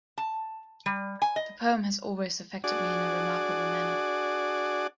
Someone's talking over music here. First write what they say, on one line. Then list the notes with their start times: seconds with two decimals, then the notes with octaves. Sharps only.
The poem has always affected me in a remarkable manner.
0.18 A5
0.86 G3
1.22 G#5
1.36 D#5
2.64 D4 F#4 G#4 D5